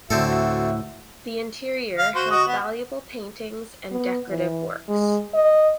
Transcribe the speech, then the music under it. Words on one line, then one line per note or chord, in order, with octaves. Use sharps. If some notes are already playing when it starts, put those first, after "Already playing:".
The interior has valuable paintings and decorative works.
D2 A2 C4 F#4 A4 E5
F5
F#4 C5
F#4 D#5 F#5
B3
B3
E3
G#3
D#5